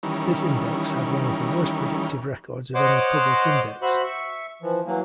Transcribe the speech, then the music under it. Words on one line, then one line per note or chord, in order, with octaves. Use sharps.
This index had one of the worst predictive records of any public index.
D#3 E3 G3 C#4 A#4
C5 C#5 D#5 F#5 C6 D6
F#4 C5 E5 B5
E5 C#6
E3 F3
E3 F#3 A#3